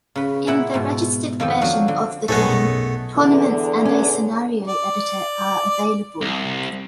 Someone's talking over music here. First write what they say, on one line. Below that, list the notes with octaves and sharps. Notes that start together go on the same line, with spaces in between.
In the registered version of the game tournaments and a scenario editor are available.
C#3 B4
A#2 E4 F#5
G#2 B2
F2 D#3 F3 A4 G5
F3 F#3 D4 F#4
D3
B1 F#2 A#2 A3 B3 G#4 C#5 D#5
E2 D3
C#4
D5
C2